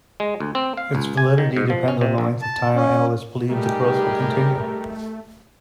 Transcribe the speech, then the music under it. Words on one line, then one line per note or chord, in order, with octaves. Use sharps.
Its validity depends on the length of time analysts believe the growth will continue.
G#3
D2
C4
F5
C#2
G#5
D#3
G#2
F3
C#4
C3
A#1
A5
C#4
G3 A3 D#4 G4 G#4 A#4